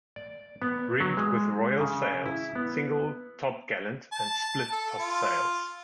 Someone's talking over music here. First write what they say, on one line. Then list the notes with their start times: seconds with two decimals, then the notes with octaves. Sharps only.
Rigged with royal sails, single topgallant and split top-sails.
0.16 D5
0.62 B3
1.00 F#3
1.17 G#3
1.80 C#3
2.26 E4
2.55 B3
4.12 A5
4.72 A4
4.99 F4